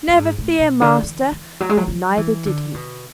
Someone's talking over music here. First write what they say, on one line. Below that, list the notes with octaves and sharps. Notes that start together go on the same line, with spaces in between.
"Never fear, master!" and neither did he.
A2
G#2
A2
B2
D3
E3
E3
F#3
G#3
F#3
F#3
E3
D3
B2